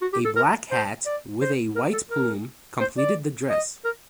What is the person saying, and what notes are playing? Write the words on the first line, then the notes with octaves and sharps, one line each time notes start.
A black hat with a white plume completed the dress.
F#4
G4
A4
A#4
C5
D5
C5
A#4
A4
A#4
C5
D5
D#5
A#4